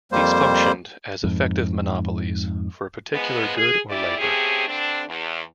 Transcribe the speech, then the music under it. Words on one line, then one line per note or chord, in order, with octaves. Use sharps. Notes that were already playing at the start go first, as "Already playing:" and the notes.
These functioned as effective monopolies for a particular good or labor.
F2 G3 A#3 C5
F2 G#2
C#3 F3 G#3 B3
G#4
G#2 G3 E4 D5
C#3 A3 C4 C#4 G4 G#4
G2 D3 C4 D4
E2